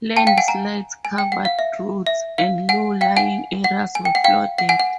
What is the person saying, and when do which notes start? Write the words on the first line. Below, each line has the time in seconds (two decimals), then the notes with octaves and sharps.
Landslides covered roads, and low-lying areas were flooded.
0.17 G5 A5
0.27 F5 G5
0.38 F#5 G#5
0.48 G#5 A#5
1.05 G#5
1.18 G5
1.32 F#5
1.45 F5
1.59 E5
2.07 E5
2.38 F5
2.69 F#5 G#5
3.01 F5 G5
3.17 F#5 G#5
3.64 F#5
3.95 G#5
4.05 G5
4.15 F#5
4.24 F5 G5
4.58 F#5
4.69 F#5 G#5
4.80 F#5